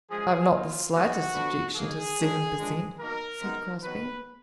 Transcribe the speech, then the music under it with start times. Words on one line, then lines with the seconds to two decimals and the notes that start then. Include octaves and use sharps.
"I've not the slightest objection to seven per cent.," said Crosbie.
0.10 F#2 F3 G#3 G#4
0.51 B2 A#3 D#4 F4
0.93 G#2 D#3 G#3 B3 F#4
1.34 D3 F3 B3 D4
1.75 B2 A#3 D#4 G#4
2.18 G#2 F#3 D4
2.59 G#2 F3 G#3 D4
3.00 B2 A#3 D#4 A#4
3.42 F#2 D#3 G#3 B3 D#4
3.83 D#3 F#3 B3 B4